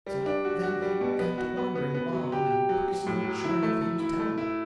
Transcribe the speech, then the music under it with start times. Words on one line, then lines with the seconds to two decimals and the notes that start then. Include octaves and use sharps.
So then he got to wandering along, and pretty soon, sure enough, he was telling!
0.07 G3
0.26 D4
0.45 F#4
0.63 F#4
0.82 G3
1.01 B2
1.19 B3
1.38 F#4
1.57 B3
1.75 B3
1.94 B3
2.13 F#3
2.32 G4
2.51 G4
2.69 F#3
2.88 F#3
3.07 A2
3.25 F#3
3.44 E4
3.63 A3
3.81 A3
4.00 E4
4.19 A3
4.38 E4